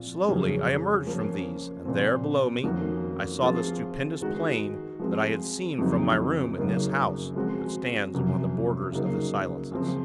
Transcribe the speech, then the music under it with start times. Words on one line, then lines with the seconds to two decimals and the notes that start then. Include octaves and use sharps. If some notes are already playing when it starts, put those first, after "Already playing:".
Slowly, I emerged from these, and there, below me, I saw the stupendous plain that I had seen from my room in this house that stands upon the borders of the Silences.
Already playing: A#2 F3 C4 F4
0.28 F2 C#3 F#3 C#4 G#4
1.07 F3 A#3 C#4
1.85 A#2 F3 C4
2.63 F2 D#3 A#3 C#4 F#4
3.42 F3 C4 F4 G#4
4.21 D#3 G#3 D#4 F#4
4.99 F3 G#3 C4
5.78 F2 C#3 F#3 C4 D#4
6.57 F#2 C#3 F#3 A#3 D#4
7.36 F3 G#3 C4 F#4
8.14 F2 C3 F#3 C#4
8.92 C#3 F#3 A#3 D#4
9.72 F#2 C#3 F3 C4